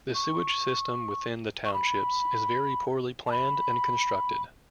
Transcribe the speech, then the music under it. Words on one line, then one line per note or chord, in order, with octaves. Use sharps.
The sewerage system within the townships is very poorly planned and constructed.
C#6
C#6
B5
A5
B5